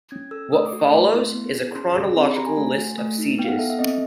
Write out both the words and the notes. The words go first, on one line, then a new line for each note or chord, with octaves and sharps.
What follows is a chronological list of sieges.
C#4 G#6
A4 E6
A3 D#6
D6
F#4
C#6
A3 C6
E4
B3
G#4
C#4 C6
G#4
C4 C6
B5
G4 A#5
G#5
A3
F#4
A3
D#4
B3 G5
F5
F#5
A4 E5
E5
C4 D#5